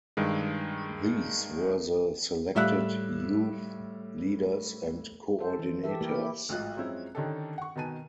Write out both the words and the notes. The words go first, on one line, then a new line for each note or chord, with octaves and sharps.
These were the selected youth leaders and coordinators.
G2 D#3 G#3
A2 G3 E5 F5 E6 F#6
A4 C5
E3
E3 G4 A4 E5
A3 A#3 E4 G4 A#4
E4 G4
A1 G#2 F#3 F4 D#5 F#6
F#2 F3 G#3 C4 C#4 E4
D3 D#3 C#4 D#4 G4 A4
F#5 C#6
B2 D#3 B4 G#5 A5 D#7